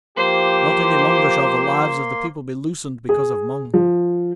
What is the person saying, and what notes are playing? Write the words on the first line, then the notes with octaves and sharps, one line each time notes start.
Not any longer shall the lives of the People be loosened because of Mung.
F3 A#3 G4 C5 C6
G#4
F3